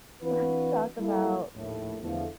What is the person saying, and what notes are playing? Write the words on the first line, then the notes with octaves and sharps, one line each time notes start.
let's talk about
E3 C4 D4 F4 F#4 B4
G3 A#3 E4 A4
A#1 D#2 A2
E2 D3 F3 A3